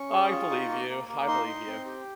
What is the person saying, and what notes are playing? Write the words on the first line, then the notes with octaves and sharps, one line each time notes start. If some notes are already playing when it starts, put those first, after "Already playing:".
I believe you. I believe you.
Already playing: C#4 C#6
G#4
F4
D#4
A#3
A#3
A#3
D#4 C6
D#4
C4
G4